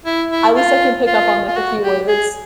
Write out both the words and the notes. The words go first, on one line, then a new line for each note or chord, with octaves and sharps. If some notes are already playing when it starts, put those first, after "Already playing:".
at least I can pick up on like a few words
E4
E4
F4
F4
F4
F#4
G4
G#4